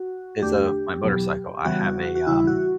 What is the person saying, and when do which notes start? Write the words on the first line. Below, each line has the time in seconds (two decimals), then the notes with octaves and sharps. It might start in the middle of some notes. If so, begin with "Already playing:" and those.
is of my motorcycle. I have a, um
Already playing: F#4
0.42 E2 D3 A3 D4 G4
1.04 E2 B2 F#3 B3
1.65 C#3 E3 G3 B3 F#4
2.15 F#4
2.27 E2 C#3 E3 G3 E4
2.47 F#4